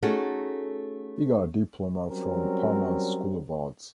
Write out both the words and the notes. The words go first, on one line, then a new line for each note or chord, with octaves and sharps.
He got a diploma from Parma’s School of Arts.
A3 C#4 D#4 F#4 G#4 A4
F#3 G3 C4 C#4 A#4